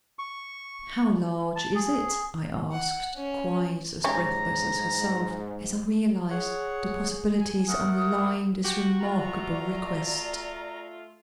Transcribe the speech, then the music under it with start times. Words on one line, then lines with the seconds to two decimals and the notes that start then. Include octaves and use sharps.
"How large is it?" I asked, quite as breathless as herself, as I realized the possibilities underlying this remarkable request.
0.19 C#6
1.56 A5
1.75 G#4
2.72 F#5
3.16 C#4
4.04 G#2 C#4 G4 A#5
6.30 G#4 C#5 F#5
7.40 G#5
7.68 A3 A#4 F#5 D#6
7.96 D#6
8.64 F#4 G4
9.01 A3 F4 D5 A#5